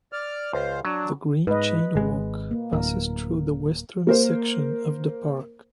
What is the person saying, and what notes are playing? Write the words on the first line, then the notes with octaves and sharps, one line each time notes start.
The Green Chain Walk passes through the western section of the park.
D5 F6
C#2 C5 F5
F#3 D4
G#2 B4 D#5
G#1 G#3
A#3
D1 A#4
A#3 A#4 C5